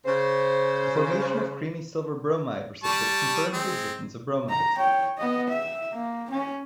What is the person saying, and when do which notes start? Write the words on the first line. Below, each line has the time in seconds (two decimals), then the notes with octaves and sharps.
The formation of creamy silver bromide precipitate confirms the existence of bromides.
0.06 C#3 C5
2.83 G3 A5 C#6
3.53 G#3 C4
4.49 A#5
4.78 C#5 G5
5.18 B3 D#5
5.48 E5
5.92 A#3
6.30 C#4